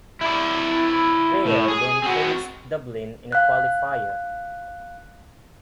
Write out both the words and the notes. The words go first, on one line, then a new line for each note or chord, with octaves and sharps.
Clare then faced Dublin in a Qualifier.
E4 D5
A2
G#4
C4 F#4
F5 F#6